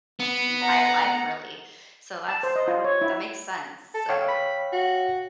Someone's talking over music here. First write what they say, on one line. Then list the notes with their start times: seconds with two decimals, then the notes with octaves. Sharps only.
entire life, really, so that's that would that makes sense. So,
0.20 B3
0.61 F#5 A#5
2.28 A5
2.43 C5
2.56 D#5
2.68 F4
2.84 C#5
3.01 E4
3.94 A4
4.09 C#5 F5 G5
4.28 B5
4.73 F#4